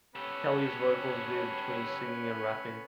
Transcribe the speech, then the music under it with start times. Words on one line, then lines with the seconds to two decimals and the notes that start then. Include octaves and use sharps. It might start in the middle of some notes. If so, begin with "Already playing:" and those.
Kelly's vocals veer between singing and rapping.
0.15 B3 C#4 G4 A4 C#5